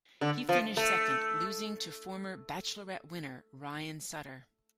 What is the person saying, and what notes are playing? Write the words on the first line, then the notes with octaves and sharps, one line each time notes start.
He finished second, losing to former "Bachelorette" winner Ryan Sutter.
D3
F3
A3